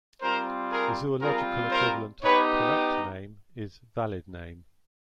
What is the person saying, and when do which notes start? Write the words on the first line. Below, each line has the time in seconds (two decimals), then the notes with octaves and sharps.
The zoological equivalent of "correct name" is "valid name".
0.22 G3 C4 F4 A#4 C5
0.72 G#4 A#4
1.22 G3 C4 F4 G#4 A#4
1.71 A#4 C5
2.22 B3 D#4 G4 B4 C#5